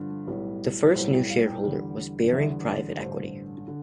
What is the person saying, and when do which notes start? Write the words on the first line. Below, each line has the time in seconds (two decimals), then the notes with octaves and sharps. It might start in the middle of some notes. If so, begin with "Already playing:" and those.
The first new shareholder was Baring Private Equity.
Already playing: G2 D3 F3
0.27 B1 A2 G3 B3
0.95 B1 A2 G3 B3 C5
1.13 G5
1.30 F5
1.47 G5
1.64 E2 D3 G3
2.32 E2 D3 G3 E5
2.65 D5
2.99 A1 G2 D3 C5
3.68 D3